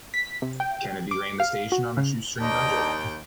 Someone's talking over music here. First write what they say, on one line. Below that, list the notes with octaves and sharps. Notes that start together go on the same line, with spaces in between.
Kennedy ran the station on a shoestring budget.
B6
C3
G5
D6
F5
F#4
C#3
D#2 D4 D#4 D#5 G5